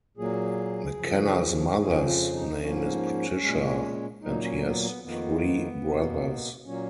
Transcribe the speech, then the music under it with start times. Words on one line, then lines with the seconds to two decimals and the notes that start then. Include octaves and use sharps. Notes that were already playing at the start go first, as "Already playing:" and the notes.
McKenna's mother's name is Patricia, and he has three brothers.
0.17 A#2 F#3 A#3 G#4
0.98 F#2 C#3 F3
1.79 F2 C#3 F3 G#4
2.07 F4
2.34 D#4
2.60 G#2 F3 A#3 C#4
3.41 A#2 G#3
4.22 A#2 F#3 A#3 D#4
4.42 C#4
4.63 B3
4.83 B3
5.03 F2 D#3 A#3 B3
5.84 B2 A#3
6.65 A#2 F#3 A#3 C#4